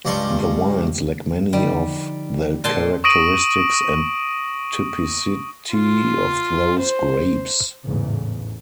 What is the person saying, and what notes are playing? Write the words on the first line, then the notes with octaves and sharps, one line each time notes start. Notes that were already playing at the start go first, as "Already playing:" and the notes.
The wines lack many of the characteristics and typicity of those grapes.
C#2 G2 D5 A5 C6 C#6
D3 F3 G3 D#4
A#2 A5 C6
C#6 D#6 A#6 D7 D#7 F#7
F4
C5
A1 E2 G#2 C#3